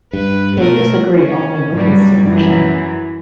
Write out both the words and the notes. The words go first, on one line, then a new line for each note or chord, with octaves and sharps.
They disagree only with his solution.
G2 B4
B2 A3 A#4
C#4
G2 F#3 G3
F#2 E3